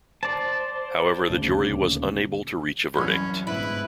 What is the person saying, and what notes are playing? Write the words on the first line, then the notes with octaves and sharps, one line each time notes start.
However, the jury was unable to reach a verdict.
C5 D5 A5
D#1 D2 C#3
C2 F#2 E3 C#4 B5
G1 G#2 E4 B4